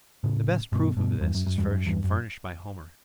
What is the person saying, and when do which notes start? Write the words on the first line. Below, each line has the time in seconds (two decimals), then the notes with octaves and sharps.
The best proof of this is furnished by Homer.
0.24 A2 C#3
0.72 G2 B2
0.97 G2 B2
1.21 E2 G2
1.35 F#2
1.46 F#2
1.58 E2 G2
1.71 F#2
1.86 E2 G2
2.04 F#2